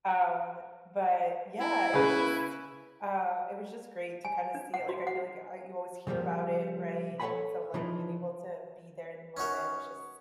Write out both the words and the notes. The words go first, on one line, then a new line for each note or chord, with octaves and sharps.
Um, but yeah, it was just, uh, it was just great to kinda see it, like, I feel like I you always hear about it, right, and so, like, being able to be there in the moment was just
E4
C#3 B4
G#5
D4
F#5
F#4
F#5
C#3 F3 G3 A#3
A4 C#5 F5 F#5 G#5 B5
C#3 E3 F3 D#4 F4 B4
C#4 D#4 F#4 A#4